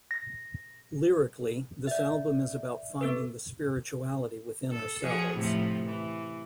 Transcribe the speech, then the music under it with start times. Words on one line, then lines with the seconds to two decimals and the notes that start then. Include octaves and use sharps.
Lyrically, this album is about finding the spirituality within ourselves.
0.11 A#6
1.87 D5 E5
3.01 B3 A4 B4
4.71 A4
5.02 F3 F#4 G#4
5.35 A2 C3 F3
5.86 E3